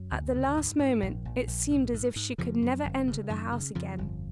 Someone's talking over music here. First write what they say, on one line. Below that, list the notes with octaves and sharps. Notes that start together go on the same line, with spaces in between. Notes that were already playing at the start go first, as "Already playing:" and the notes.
At the last moment, it seemed as if she could never enter the house again.
Already playing: F#2 F#3
D2
C#3
G#2
G#2
A#1
A#1
A#1
G#2
G#2
G#2
F2 C#3 F3
F#2
G1
C#3
F#2 D#3
C#3
F2 C#3 F3
G1